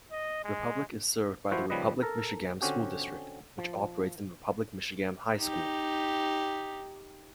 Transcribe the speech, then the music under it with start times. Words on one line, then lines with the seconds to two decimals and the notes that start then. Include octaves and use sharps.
Republic is served by the Republic-Michigamme School District, which operates the Republic-Michigamme High School.
0.12 D#5
0.44 G#3
1.51 F3 E4 F#4 C5
1.70 D#2 C#3 F3 G3 B4 D#5
2.02 A4 A#4
2.61 D3 C4 C#4 F#4 G4
3.58 F3
5.39 D#4 G4